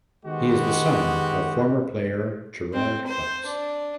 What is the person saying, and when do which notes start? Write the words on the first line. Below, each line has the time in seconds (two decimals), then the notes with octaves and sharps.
He is the son of former player Gerard Butts.
0.25 D#3 G#3 B3 F#4 G4
2.73 C4
3.06 C5
3.45 D4